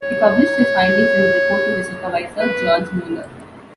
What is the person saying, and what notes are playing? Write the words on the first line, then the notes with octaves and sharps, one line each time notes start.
He published his findings in a report to his supervisor, George Mueller.
C#5
B4